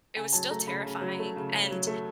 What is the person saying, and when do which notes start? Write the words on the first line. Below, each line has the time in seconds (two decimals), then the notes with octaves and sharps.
it was still terrifying, and
0.16 C#3 G#5
0.33 F#3 A5
0.50 A3 A#5
0.67 C#3 B5
0.85 C#3
1.01 F#3
1.19 A3
1.36 C#3
1.53 C#3
1.71 F#3
1.87 A3